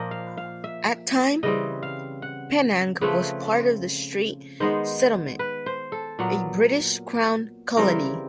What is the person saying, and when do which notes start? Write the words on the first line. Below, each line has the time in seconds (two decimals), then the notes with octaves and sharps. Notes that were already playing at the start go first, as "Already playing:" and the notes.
At the time, Penang was part of the Straits Settlement, a British Crown colony.
Already playing: A#2 F3 A#3 D#5
0.11 F5
0.37 F5
0.64 E5
1.43 C#3 E3 G3 C4 D#5
1.83 F5
2.22 F#5
3.01 C#3 F3 A3 C4 B4
4.60 D#3 G#3 B3 C5
5.39 B4
5.66 C5
5.92 A4
6.19 A#2 F#3 B3
7.77 C#3 E3 G3 C4 A#4